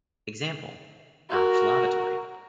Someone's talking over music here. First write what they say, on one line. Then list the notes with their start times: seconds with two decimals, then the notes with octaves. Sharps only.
Example: Aft lavatory.
1.30 F#4 A#4